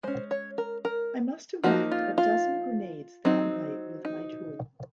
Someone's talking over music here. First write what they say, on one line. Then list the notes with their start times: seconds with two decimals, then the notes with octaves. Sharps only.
I must have whacked a dozen grenades that night with my tool.
0.03 G#3 C#4 C5
0.31 C#5
0.58 A#4
0.85 A#4
1.64 F3 A#3 D#4 F#4
1.91 F4
2.18 F4
3.25 F#3 C4 D#4
4.05 D#4